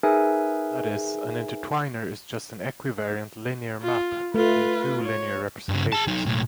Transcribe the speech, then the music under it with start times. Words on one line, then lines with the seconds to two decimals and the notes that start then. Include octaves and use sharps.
That is, an intertwiner is just an equivariant linear map between two linear representations.
0.03 D#4 G#4 A#4 B4 E5 G#5
3.83 F4
4.34 A3 F4 B4
5.05 C#5
5.69 G2 C#3
5.92 G#4 A5
6.07 F#3 D#4
6.26 B1 A2